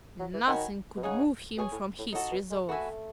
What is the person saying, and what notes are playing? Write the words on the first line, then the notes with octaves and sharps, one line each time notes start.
Nothing could move him from his resolve.
F#3
E3
D#3 F#4 C#5 G#5 B5
B2
C#3 D#4 G#4 C#5 F#5
B2 G#4 C#5 G#5
A2
A2
A2 D#4 F#4 A4
B2
G#3
A3 F#4 B4 E5 G#5